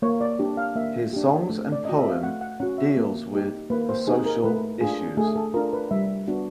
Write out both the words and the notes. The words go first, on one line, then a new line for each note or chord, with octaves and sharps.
His songs and poem deals with the social issues.
A#3 C#5
D5
D4 G4
F5
A#3 E5
D4 G4
A3
D5
C#4 F#4 D#5
E5
F5
A3 F#5
F#5
C#4 F#4 F#5
E5
A#3
D#4 G4
A#3 B4
C5
D#4 G4 G#4
A#4
A3 B4
D4 F4 G#4
A3 G#4
A4
D4 F4 A#4
B4
G3 E5
B3 D4 F#4